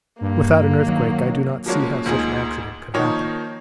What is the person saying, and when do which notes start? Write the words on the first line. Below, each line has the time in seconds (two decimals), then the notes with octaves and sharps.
Without an earthquake I do not see how such an accident could happen.
0.21 G2 A#3
0.85 D#3 F#3
1.66 F3 F#3 G#3 A#3 C#4 F#4
2.06 D2 A#2 D#4 G#4
2.94 D#3 F3 A#3 D#4 C#5